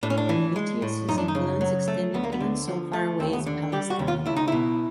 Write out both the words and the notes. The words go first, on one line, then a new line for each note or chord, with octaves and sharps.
Meletius's influence extended even so far away as Palestine.
A2 D4
C#4
D4
E3
G#3
A2
F#2 D#4
D4
D#4
C#3
F#3
A3
D2 B3
A#3
B3
D3
F3
A3
D#2 C4
B3
D3
G3 G4
F#4
D#2
F4
C#2 E4
D#4
B2 E4